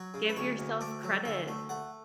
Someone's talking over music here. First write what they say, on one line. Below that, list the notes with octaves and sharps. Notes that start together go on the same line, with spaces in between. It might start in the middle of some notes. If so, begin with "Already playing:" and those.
Give yourself credit,
Already playing: F#3 C#5
C#3
B4
D2 C#5
D2
A3 D5
F#3
D2 E5
A3
A3 F#5